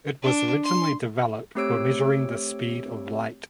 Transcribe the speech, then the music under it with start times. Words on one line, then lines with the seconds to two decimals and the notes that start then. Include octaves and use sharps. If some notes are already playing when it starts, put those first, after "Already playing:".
It was originally developed for measuring the speed of light.
0.23 D4
0.64 C6
1.55 A3 C4 G4 C#5 E6 D7